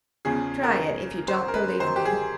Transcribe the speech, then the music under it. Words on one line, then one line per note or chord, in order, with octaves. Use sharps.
Try it, if you don't believe me.
E2 C#3 F3 G#4
A#4
C5
A#4
B4
F#2 D#3 F#3 C5
G4
G#4